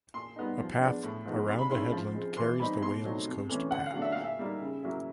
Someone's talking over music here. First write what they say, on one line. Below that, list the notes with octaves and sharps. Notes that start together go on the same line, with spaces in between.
A path around the headland carries the Wales Coast Path.
A#2 C6
G3 B3 D#4
F3
G#3 B3 D4
A2
F3 G#3 B3 D#4
C3 C6
B5
D#3 G#3 C#4 E4 C6
F3
G#3 C4
E3 C6
G3 C4 D#4 B5
B2 C6
F#3 A3 C4 D#4
C3
E3 A3 C#4
D3 F#5
F5
F#3 A3 D4
E5
A#2 F5
E5
G3 A#3 D#4
C#3
F#3 A#3 C#4 E4